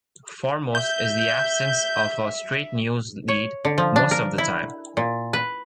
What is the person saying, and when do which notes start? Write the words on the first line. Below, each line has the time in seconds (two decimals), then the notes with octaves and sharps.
Foremost is the absence of a straight-news lead, most of the time.
0.75 E5 G6
3.28 C#5
3.65 D3
3.78 F3
3.96 D4
4.11 A#4
4.38 E4
4.97 A#2
5.33 B4